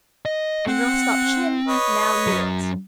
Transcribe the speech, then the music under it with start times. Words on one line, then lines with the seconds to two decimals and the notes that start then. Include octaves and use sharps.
And Rostopchin now knew it.
0.25 D#5
0.67 C4 F#5
1.68 B4 C#5 D#5
2.27 F#2 F#3